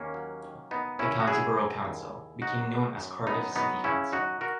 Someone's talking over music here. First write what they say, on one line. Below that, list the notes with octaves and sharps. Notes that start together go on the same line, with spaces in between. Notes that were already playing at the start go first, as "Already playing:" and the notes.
The county borough council became known as Cardiff City Council.
Already playing: D#2 A#3 C#4
F#3
D#3
D#2 B3 D#4
D#2 C#4 E4
F#4
F#3 E4 G#4
D#3
D#2
D#2
F#3 D#4 F#4
C#3
F#2
F#2 B3 D#4
F#3 B3 D#4
C#3 C#4 E4
F#2 D#4 F#4
F#4 A#4